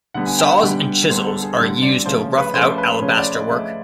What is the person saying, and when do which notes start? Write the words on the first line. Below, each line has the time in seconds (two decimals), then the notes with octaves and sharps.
Saws and chisels are used to rough out alabaster work.
0.14 D3 G3 B3 D4 F#5
0.26 G#5
0.39 G5
0.51 F#5
0.63 D3 G3 B3 D4
1.10 D3 G3 B3 D4 C5
1.27 A4
1.42 G#4
1.59 D3 G3 B3 D4
1.82 D5
2.06 C#3 F3 A3 C#4 C5
2.37 B4
2.54 C#3 F3 A3 C#4 C5
2.78 B4
3.01 C#3 F3 A3 C#4 C#5
3.17 D5
3.33 D#5
3.49 C#3 F3 A3 C#4 E5